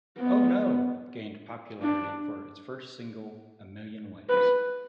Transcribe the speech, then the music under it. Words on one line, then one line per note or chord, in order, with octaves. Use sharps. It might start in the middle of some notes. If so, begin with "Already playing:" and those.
"Oh No" gained popularity for its first single, "A Million Ways".
B3
D4
B4